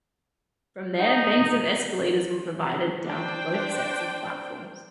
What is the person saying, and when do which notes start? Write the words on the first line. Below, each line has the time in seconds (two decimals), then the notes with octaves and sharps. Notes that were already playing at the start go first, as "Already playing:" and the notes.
From there banks of escalators were provided down to both sets of platforms.
0.98 D#4
3.04 D4 C5 G5